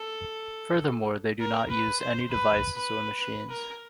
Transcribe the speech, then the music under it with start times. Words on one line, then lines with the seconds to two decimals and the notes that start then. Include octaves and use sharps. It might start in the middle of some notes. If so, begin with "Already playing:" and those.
Furthermore, they do not use any devices or machines.
Already playing: A4
1.41 A#4
1.70 B4
2.00 C5
2.30 B4
2.76 B4
3.20 B4
3.50 A#4